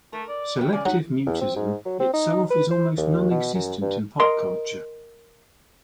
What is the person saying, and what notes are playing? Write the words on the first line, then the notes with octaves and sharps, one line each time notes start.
Selective mutism itself is almost nonexistent in pop culture.
A3 A#4
D5
F#2 F#3 G5
C#3 D5 G#5
F#3 D#4 F#5
E2
C4
G#2
F#3
C4
D#4
B4
C5
D#2
B2
F#2
G2
A#4 D#5 C6